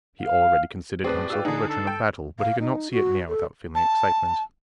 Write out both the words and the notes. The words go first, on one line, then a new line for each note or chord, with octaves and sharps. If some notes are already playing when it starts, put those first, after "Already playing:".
He already considered himself a veteran of battle, but he could not see it near without feeling excitement.
F5
A2 C4 G#4 B4 D5
F4 G#4 B4 G5 E6
D3 D4 D#4 G#4
A4
G5
F5
D#4
F#4
A4
A5